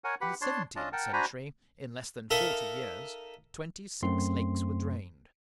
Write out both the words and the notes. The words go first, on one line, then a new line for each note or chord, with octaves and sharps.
In the seventeenth century, in less than forty years, twenty-six lakes were drained.
A#4 C#5 F#5 G#5
G4 B4 F#5 B5
D4 C#5 A5 C6
C#4 D4 F4 D#5 A5
A#4 F#5 G5 A5
D4 F#4 C5 G#5 A#5 B5
D#4 A4 A#4 E5 F5
F#2 A3 C4 C6